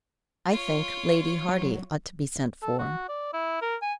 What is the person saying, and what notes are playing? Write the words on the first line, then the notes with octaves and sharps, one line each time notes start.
"I think Lady Hardy ought to be sent for."
F4 C#5
F#3
A4
F#4
D5
E4
A#4
G#5